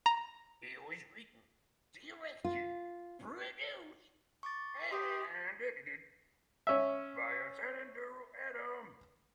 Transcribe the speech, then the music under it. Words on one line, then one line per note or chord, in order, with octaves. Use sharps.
It was written, directed, produced and edited by Ozan Duru Adam.
A#5
F4
C#6 D6 A6
G4 C6 D#6 B6
C#4 E5